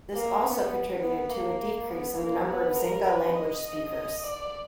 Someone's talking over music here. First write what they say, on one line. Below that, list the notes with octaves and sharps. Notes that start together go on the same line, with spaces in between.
This also contributed to a decrease in the number of Xinca-language speakers.
A#3
B3
B3
A#3
B3
A#3
B3
A#4
B4
D#5
D5